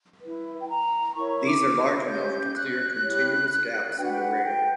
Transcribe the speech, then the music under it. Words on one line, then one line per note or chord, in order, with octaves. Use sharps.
These are large enough to clear continuous gaps in the ring.
E4 B4
G5
A#5
E4 A#4 C#5 C#6
D6
C#4 G4 C#5 G6
G6
F#6
E4 G4 C#5
D4 F#4 B4 G5
F#5
G5
F#5
G5